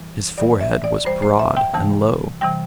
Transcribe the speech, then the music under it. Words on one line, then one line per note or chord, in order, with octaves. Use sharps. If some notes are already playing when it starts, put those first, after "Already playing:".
His forehead was broad and low.
Already playing: E2 E3 G3
G2 E3 G3 D5
E5
D5
G2 E3 G3 C5
C5
E5
G5
D2 C3 E3 G3 A5
C3 E3 G3 G5